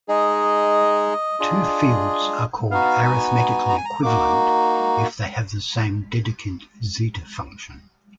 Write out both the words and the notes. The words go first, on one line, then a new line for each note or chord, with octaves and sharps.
Two fields are called arithmetically equivalent if they have the same Dedekind zeta function.
G#3 D#4 G#4 D#5
D4 F4 G#4
B3 D#4 F#4 F5
G#5
G#5
A#5
G#5
A#5
A#3 D#4 F#4 D6